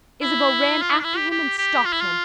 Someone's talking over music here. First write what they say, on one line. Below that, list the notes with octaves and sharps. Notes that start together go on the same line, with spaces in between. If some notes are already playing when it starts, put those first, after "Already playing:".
Isabeau ran after him and stopped him.
E4
F4
E4
D4
E4
G4
G4
G4
F4
E4
F4